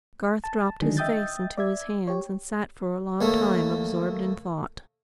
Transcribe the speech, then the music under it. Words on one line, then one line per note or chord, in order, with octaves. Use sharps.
Garth dropped his face into his hands, and sat for a long time absorbed in thought.
A5
D3 D#3 F#3 G#3 D4 G#4
D#5 E5 G5 D#6 G6 A6
D5 E5 G#6
G4 C#5
D#2 A3 A#3